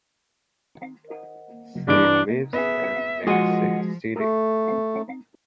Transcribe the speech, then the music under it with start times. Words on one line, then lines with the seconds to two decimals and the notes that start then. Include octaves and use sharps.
She lives in Mexico City.
1.88 G2 E3 D4 D7
2.53 B3 G#4 E5
3.27 F3 G#3 F4 F#4 G#4 D#5 F#5
4.17 A3